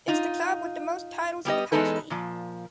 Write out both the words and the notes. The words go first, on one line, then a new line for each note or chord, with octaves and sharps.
It’s the club with the most titles in the country.
D#4 F4
G3 B3 G4 D#5
E2 G#3 B3 D#4 A4 B4
A#2 F3